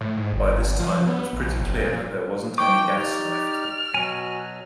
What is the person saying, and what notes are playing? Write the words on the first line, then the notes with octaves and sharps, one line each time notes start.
By this time it was pretty clear that there wasn't any gas left.
A2
G#2
G1
F3
B3
A#1
F#1
A#2
D#4 G5 C#6 D6 G6
D#4 G4 D5 F6
B2 F#3 F#4 G#5